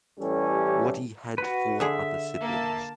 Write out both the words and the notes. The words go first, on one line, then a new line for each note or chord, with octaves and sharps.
Waddy had four other siblings.
A1 E3 G3 C#4 G4 A4
F#4 B4
D3 G#4 E5
A#3 A5